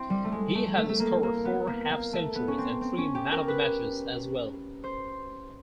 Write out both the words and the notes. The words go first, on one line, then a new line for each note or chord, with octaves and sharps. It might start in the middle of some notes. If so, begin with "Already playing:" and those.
He has scored four half centuries and three man of the matches as well.
Already playing: C4 E4
G3
A3
G#3
A3
A3
A3
A#3
A#3
B3
A#3
A#3
A3
B3
C#4
C4
C4
C#4
G4
A#4
B4
C5